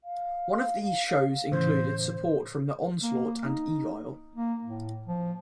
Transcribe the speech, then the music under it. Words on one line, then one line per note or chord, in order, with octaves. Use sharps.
One of these shows included support from Onslaught and Evile.
F5
A2 C#3 E3 C5
A#3
D#4
A#3
A2
F3